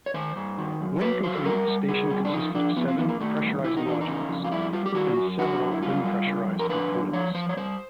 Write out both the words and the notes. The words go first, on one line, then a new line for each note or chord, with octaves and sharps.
When complete, the station consisted of seven pressurised modules and several unpressurised components.
C#5
D#3 C5
G2
D#3
F#2
F#3 B4
F#3 C5
A4
G3 A#4
G3
C#3 G#4
G3
D4
F3 D#4
F3 D4
F3 B3
C4
F3 B3
A#3
D#3 A3
G2
C#3 E4
D#4
E2 D4
D#4
C#3
F2
F4
G3 E4
G3 F4
G4
D#3 F#4
F#2
D3 F#4
F#2
E4
G3 F4
G3
C#3
F2
A#4
D3 B4
F#2
F3 C#5
F3 C5
C#5
G3 C5